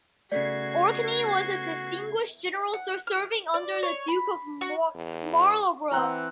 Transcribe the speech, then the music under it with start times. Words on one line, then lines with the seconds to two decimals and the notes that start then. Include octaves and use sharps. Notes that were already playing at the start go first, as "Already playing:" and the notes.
Orkney was a distinguished general serving under the Duke of Marlborough.
0.32 C#3 A3 B3 F#4 D5 G#6 C7
2.73 F#5
3.07 F6
3.54 D5
3.83 C#5
4.08 B5
4.61 F#4
4.95 E2
5.91 E3 C4 F#5 A#5